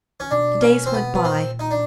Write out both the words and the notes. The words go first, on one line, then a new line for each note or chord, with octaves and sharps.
The days went by.
C#4
B2 D4
C#4
C4
B3
B3
A#2 C4
D#4
D4